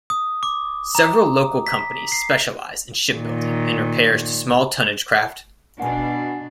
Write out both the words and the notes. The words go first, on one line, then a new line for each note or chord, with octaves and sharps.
Several local companies specialise in shipbuilding and repairs to small tonnage craft.
D#6
D6
A#5
B6
C7
A#2 D#3
B2 D4 F#5 G#5